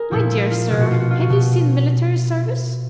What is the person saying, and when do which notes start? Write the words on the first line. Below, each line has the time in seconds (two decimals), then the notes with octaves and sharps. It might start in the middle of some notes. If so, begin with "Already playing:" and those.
"My dear sir, have you seen military service?"
Already playing: G#4 A#4
0.11 A#2 F3 E4
0.31 E4
0.51 F4
0.70 B2 F4
0.81 F#4
0.91 F4
1.00 F#4
1.11 F4
1.20 F#4
1.29 B2